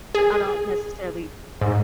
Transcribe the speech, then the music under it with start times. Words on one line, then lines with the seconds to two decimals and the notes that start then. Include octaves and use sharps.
I don't necessarily
0.15 G#4
1.61 G#2